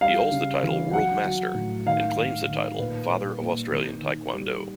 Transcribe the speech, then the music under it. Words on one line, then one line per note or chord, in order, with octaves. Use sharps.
He holds the title 'World Master' and claims the title 'Father of Australian Taekwondo.
G3 F5
C#3
E3
F#3 F#5
F#3
A2
D#3 F5
D#3
D#3
A#2 B4
G3
A#3
D#3
D#3
G3